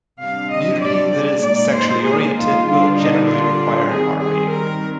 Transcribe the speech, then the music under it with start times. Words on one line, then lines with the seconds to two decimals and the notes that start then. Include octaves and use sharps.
Nudity that is sexually oriented will generally require an R rating.
0.19 C3 G3 D4 F5
0.51 D#5
0.81 D5
1.12 D5
1.43 A#2 G#3 D#4 D5
1.74 C5
2.05 G#4
2.35 F4
2.66 D3 G3 D4
2.97 D#4
3.28 F4
3.90 D#3 G3 C4 G#4
4.21 G#4
4.51 A#4